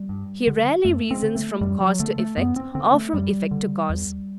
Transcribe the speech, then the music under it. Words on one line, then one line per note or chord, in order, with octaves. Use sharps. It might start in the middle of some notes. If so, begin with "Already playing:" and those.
He rarely reasons from cause to effect, or from effect to cause.
Already playing: G3
G2
D3
F#2 A3
C4
D3
A3
F#2 G3
F#3
D3 A3
A3
F#2 B3
C4
D3 C4
A3
F#2 G3
D3
E2